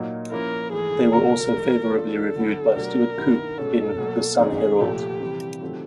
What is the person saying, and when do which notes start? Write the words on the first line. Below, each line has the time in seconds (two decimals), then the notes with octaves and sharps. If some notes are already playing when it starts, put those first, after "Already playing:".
They were also favourably reviewed by Stuart Coupe in the "Sun Herald".
Already playing: A#2 F#3 A#3 D#4
0.31 F3 A#3 C#4 E4 A#4
0.72 G#2 E3 A3 G#4
1.13 C#2 B2 F#3 A3 A#4
1.54 E3 G3 A#3 D#4 G#4
1.94 G2 E3 A3 D4 F4 A4
2.36 D2 D3 F#3 B3 E4
2.76 B2 F#3 A3 D4 G4 A#4
3.17 G2 D#3 G3 B3 E4
3.58 B2 G#3 C#4 A4
3.98 B2 F#3 A#3
4.39 F#2 D#3 G#3 C4 D#4 G#4
4.80 C2 A#2 F3 A3 G4
5.20 C3 E3 G3
5.61 D#3 F#3 A3 C4 F4